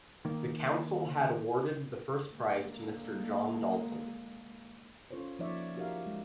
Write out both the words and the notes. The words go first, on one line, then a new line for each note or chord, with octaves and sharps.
The Council had awarded the first prize to Mr. John Dalton.
D#3 A#3
D3 G#3 A#3
C#4 F4 A4 C5 C#5
F3 A#3 D#4 C#5 D5 E5
D#4 F#4 G4 A#4 E5 F5
G#3